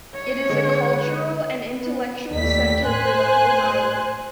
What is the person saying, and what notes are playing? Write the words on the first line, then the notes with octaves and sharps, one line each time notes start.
It is a cultural and intellectual center for the whole island.
C#5
D3 G#3
B4
B3
D#2 G3 A3 B6
A2 C5 G#5 F#6